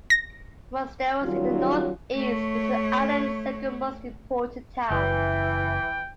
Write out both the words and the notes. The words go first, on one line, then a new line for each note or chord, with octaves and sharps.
Mosteiros in the north-east is the island's second most important town.
A#6
D#3 F#3 G3 C#4 D#4 F4
A3 C#5
F#1 E3 G5